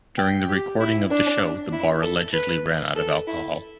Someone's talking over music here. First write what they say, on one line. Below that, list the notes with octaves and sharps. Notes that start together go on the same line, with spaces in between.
During the recording of the show, the bar allegedly ran out of alcohol.
G5
G4
E4
D4
E4
A4
B4
A4
E4